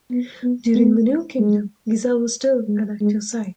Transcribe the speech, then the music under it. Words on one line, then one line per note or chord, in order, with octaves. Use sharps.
During the New Kingdom, Giza was still an active site.
B3
B3
B3
G#3
G#3
G#3